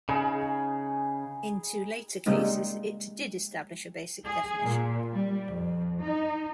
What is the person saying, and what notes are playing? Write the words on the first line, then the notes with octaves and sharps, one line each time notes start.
In two later cases, it did establish a basic definition.
C#3 D#4 G#4 B5
C#3 G3 G#3 A#3 C4 D#4
G#4
A#2
G3
F2
D#4